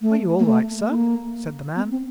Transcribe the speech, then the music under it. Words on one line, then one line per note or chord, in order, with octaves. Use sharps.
"Are you all right, sir?" said the man.
A3
A#3
A3
A#3
B3
C4